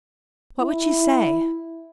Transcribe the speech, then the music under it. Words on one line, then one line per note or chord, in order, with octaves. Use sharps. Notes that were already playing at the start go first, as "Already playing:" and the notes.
What would she say?
E4